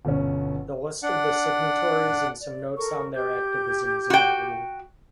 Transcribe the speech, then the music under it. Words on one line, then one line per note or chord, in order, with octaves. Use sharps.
The list of the signatories and some notes on their activism is available.
G1 B2 C#4
D4 F#5
D5
A4 A#4 C#6
G4 G6
F#4 G5